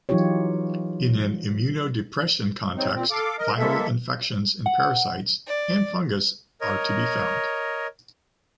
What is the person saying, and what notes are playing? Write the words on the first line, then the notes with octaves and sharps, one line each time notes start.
In an immunodepression context, viral infections and parasites and fungus are to be found.
E3 F#3 D#4 F4 G4 C#5
F#3 C4 D#4
A#2 C4
A4 F5 D6
A#4 D#5
G#3 A#3 A4 E5
F#5
D5
A#4 C#5 D#5